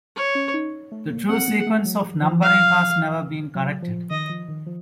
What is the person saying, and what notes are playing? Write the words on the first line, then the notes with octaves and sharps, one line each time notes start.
The true sequence of numbering has never been corrected.
C#5
C#4
D#4
A3
A#3
C4 F#5
A#3
A3
A3
F#3
F3
F5
F#3
F3
D#3 D#5
F3
D#3
F3